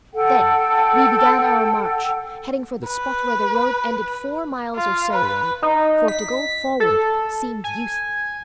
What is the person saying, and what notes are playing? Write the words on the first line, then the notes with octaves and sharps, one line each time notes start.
Then we began our march, heading for the spot where the road ended four miles or so away, for to go forward seemed useless.
A4 F#5 G5
B4
F4
B4
D#4
B6
A4
G#5